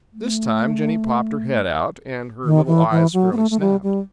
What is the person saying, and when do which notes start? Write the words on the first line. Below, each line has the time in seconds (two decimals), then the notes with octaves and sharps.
This time Jenny popped her head out, and her little eyes fairly snapped.
0.13 A3
2.44 D#3
2.67 E3
2.91 E3
3.13 F#3
3.33 B3
3.37 A3
3.51 A3
3.60 G3
3.83 G3